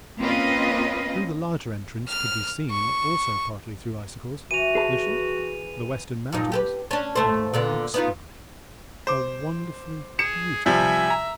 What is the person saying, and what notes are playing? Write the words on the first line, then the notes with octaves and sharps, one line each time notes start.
Through the larger entrance could be seen, also partly through icicles, the ship, the Western Mountains, and a lilac sky; a wonderfully beautiful picture.
A#3 C4 C#4 F4 B4 D#5
F6
C#6
E3 F#4 D#7 F7
G#4 B4 A5
G2 A#2 D#4
G4 A4 B4
C#4 D4
D#2 A3 C5
A#2 D3 B3
B3 D#4 F4
C5 D6
G#4 C#7 E7
C3 F3 G3 E5 G#5
A#5